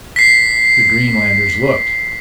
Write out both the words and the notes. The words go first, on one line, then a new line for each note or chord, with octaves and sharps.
The Greenlanders looked.
B6 C7